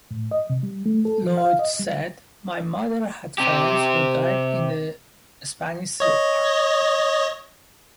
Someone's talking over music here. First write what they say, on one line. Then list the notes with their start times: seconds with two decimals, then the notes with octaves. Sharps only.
Lloyd said: my mother had friends who died in the Spanish Civil War.
0.11 A2
0.31 D#5
0.50 C3
0.63 G3
0.86 A3
1.05 A4
1.23 F3
1.37 F5
1.59 D#5
1.79 G3
3.38 C3 G4
6.00 C#5 D#5